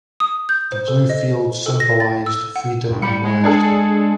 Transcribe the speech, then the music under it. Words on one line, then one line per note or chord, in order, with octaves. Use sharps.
The blue field symbolized freedom and loyalty.
D#6
G6
C5
A4
D#5
A4
A#6
A6
E6
F#5
G2
G3 B5 C#7
G#3
D4 G#4 A4